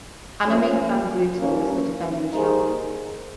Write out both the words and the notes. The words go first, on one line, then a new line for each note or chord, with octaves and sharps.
Annemiek van Vleuten was the defending champion.
F3 A#3 C#4 F4
G2 F3 A#3 C#4
G3 A#3 D#4 G#4 C5